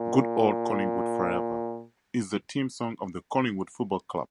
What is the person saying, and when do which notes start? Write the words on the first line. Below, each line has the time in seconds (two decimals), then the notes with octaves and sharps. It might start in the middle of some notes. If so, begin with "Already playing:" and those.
"Good Old Collingwood Forever" is the team song of the Collingwood Football Club.
Already playing: A#2